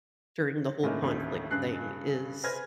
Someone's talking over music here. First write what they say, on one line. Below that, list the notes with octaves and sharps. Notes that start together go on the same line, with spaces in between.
during the whole conflict thing is
A2 D#3 G#3 A#3 C#4 E4
A1 D#2 A2 D3
G2 C#3 F#6 C7
B4 C5 G#5 F6 G#6 A#6